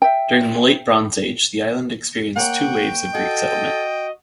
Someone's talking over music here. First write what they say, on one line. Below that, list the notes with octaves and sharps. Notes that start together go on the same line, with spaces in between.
During the late Bronze Age the island experienced two waves of Greek settlement.
E5 G5
A#3 C#5 F#5 G5
F#4 A4 D#5